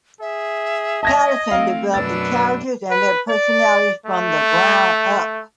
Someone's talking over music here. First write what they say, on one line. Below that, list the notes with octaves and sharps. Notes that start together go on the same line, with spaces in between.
Patterson developed the characters and their personalities from the ground up.
G#4 E5
D#5 A5 G#6 A#6
A3 C4 F5
F#2 B2 D4 B4 E6 A6
B4
D5
A3